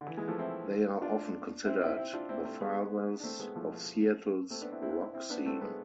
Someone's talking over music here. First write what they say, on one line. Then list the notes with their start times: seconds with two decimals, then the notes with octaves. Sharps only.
They are often considered the fathers of Seattle's rock scene.
0.01 D3
0.07 E3
0.17 E3 G#3
0.28 F3 A3
0.39 C4 E4
1.02 D4 F4
1.66 C4 E4
1.81 C4 E4
1.97 C4 E4
2.13 D4 F4
2.29 C4 E4
2.44 A3 C4
2.61 G#3 B3
3.20 D4
3.24 A3 C4
3.40 G#3 B3
3.56 F3 A3
4.50 A3 C4
4.61 B3 D4
4.72 C4 E4
4.82 C4 E4
5.14 C4 E4
5.30 B3 D4
5.46 A3 C4
5.61 G#3 B3